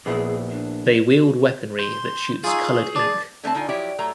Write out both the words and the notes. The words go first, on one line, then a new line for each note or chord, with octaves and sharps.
They wield weaponry that shoots colored ink.
A#1 B3 E4 G#4
D4
F#4
C6 G6
D#4 F4 G#4 G#5 C#6 E6
D4 A5 D6 G#6 A6
D3 A3 C4 A5
D3 D#4 F4 G#5
F3 F#3 E4 G4 D5
A2 F#3 A3 A#5